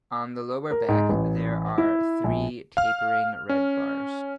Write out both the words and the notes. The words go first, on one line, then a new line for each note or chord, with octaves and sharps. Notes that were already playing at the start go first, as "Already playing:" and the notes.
On the lower back there are three tapering red bars.
A#4
G#2
A1
E4
A#1
F5 F6
C#4